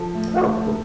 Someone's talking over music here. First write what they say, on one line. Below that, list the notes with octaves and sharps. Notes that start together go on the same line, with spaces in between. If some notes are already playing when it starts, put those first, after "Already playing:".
Oh, cool.
Already playing: F3 A4
A2
A3
A2